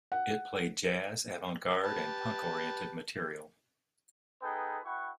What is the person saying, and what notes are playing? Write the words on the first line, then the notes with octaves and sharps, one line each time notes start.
It played jazz-, avant-garde- and punk- oriented material.
F#5
G4 B4 A5
B3 D#4 G#4 A4 B4 G5
E4 F#4 B4 F#5 G5 C#6